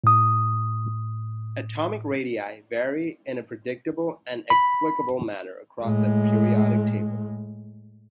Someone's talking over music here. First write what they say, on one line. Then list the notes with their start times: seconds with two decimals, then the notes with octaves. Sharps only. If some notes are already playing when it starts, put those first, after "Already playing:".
Atomic radii vary in a predictable and explicable manner across the periodic table.
0.04 A2 D#6
4.50 B5
5.82 A2 G#3